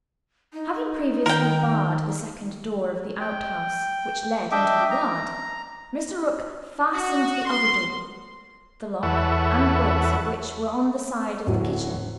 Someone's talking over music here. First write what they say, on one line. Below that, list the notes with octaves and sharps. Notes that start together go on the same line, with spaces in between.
Having previously barred the second door of the outhouse, which led into the yard, Mr. Rook fastened the other door, the lock and bolts of which were on the side of the kitchen.
D#4
D#3 A#4 G5
G5
D4 D#5 E5 G5 D6
A#5
F#4
C6
E2 A4 B4 C#5 E5 F#5
D1 F#3 F#4